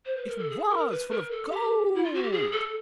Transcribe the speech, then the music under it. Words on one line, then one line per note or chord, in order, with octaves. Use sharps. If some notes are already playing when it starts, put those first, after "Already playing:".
It was full of gold.
C5
B4
A#4
A4
G#4
A#4
B4
A#4
A4
G4
E4
F4
F#4
G4
G#4
A4